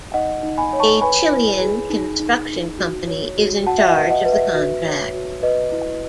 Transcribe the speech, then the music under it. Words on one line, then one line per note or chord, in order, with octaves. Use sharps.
A Chilean construction company is in charge of the contract.
D#4 D#5 F#5
D#4
G#5 B5
C#5
A5 C#6
B4 G#5 B5
E4
G#4
D#4
D#4
D#4
F#4
C#5
F#4
F#4 F#5 A5
E5
D#5 F#5
B4
D#5 F#5
B4
E5
F#4
C#5
F#4
B4 D#5
E4